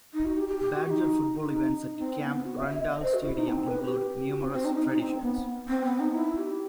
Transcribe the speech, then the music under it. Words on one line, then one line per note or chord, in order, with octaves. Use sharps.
Badger football events at Camp Randall Stadium include numerous traditions.
D#4
F#4
G4
G4
G4
F#4
D#4
C4
B3
F#4
E5
E5
D#5
D#5
C5
F#4
E4
D#4
B3
C4
B4
G4
F#4
C4
C4
D#4
D#4
D#4
C4
B3
C4
B3
D#4
E4
G4